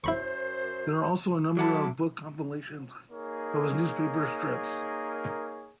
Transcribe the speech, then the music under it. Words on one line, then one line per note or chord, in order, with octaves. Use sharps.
There are also a number of book compilations of his newspapers' strips.
F#2 E4 C5 B5 C#6
F#3 A3 E4 F#5 A5 D6
A#3 D#4 G#4 A#4 C#5